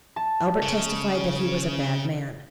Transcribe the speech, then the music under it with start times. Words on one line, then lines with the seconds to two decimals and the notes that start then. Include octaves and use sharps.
Albert testified that he was a bad man.
0.16 A5
0.62 C#3